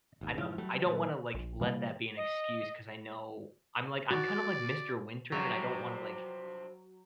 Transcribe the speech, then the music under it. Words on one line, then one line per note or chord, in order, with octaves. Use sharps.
and, uh, I don't wanna, like, let that be an excuse 'cause I know I'm, like, I'm kind of like Mr. Winter, and I don't wanna, like,
G#1 D#2
F1 G#2 E3 F3
F#3 G3 A3
A#2 F#3
A#1
C3 E3 G3 A#3
D#5
F#4 D5
G2 C3 F3 F#3